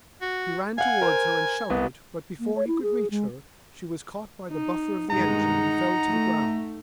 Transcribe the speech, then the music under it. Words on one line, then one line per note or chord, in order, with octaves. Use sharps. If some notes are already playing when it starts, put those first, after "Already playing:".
He ran towards her and shouted, but, before he could reach her, she was caught by the buffer of the engine and fell to the ground.
F#4
F5 F#5 G#5
A#4 C5
C2 B3
A#3
C#5
E4
G#4
G#3
D#4
G2 D#3 G#3 D#4 F#5 A#5
A3